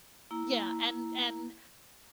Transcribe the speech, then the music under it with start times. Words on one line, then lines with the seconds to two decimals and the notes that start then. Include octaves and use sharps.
Yeah, and and,
0.31 A#3 E4 A#5